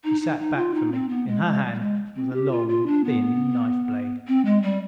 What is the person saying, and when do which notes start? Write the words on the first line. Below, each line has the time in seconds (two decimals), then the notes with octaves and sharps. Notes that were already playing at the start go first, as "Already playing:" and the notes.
She sat back from me; in her hand was a long thin knife blade.
0.04 D#4
0.21 D#4
0.39 D#4
0.56 F4
0.75 D#4
0.93 C4
1.09 B3
1.28 G#3
1.45 G#3
1.63 G3
1.74 G3
1.80 G#3
2.16 C4
2.33 G4
2.51 F4
2.69 F4
2.87 D4
3.05 B3
4.28 C4
4.45 G#3
4.63 G3